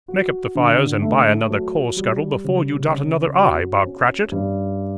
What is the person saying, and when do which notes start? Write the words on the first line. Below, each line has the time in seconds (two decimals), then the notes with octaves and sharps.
Make up the fires and buy another coal-scuttle before you dot another i, Bob Cratchit!'
0.08 F#4
0.55 D3
1.02 A3
1.50 F#3
1.97 G3
2.44 C#3
2.91 C#4
3.37 F#4
3.85 C#4
4.32 G2